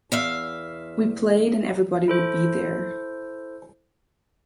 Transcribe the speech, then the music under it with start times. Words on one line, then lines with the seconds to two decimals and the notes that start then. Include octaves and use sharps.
We played and everybody would be there.
0.12 E2 E5 F5
2.08 E4 A4 C5